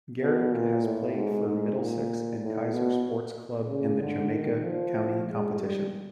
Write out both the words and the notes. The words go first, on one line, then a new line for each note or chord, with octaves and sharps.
Garrick has played for Middlesex and Kaiser Sports Club in the Jamaica County Competition.
B2
A#2
A2
G#2
G#2
A#2
A2
B2
C#3
D3
D#3
F3
G#3
G3